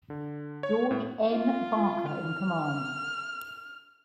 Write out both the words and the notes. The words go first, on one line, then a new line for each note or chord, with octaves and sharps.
George N. Barker in command.
D3
C#5
A2
F4
F6